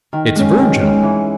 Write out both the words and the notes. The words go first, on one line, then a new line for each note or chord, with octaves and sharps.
It's virginal.
D#3
G#3 C#4
D#3
G#3 C#4
E3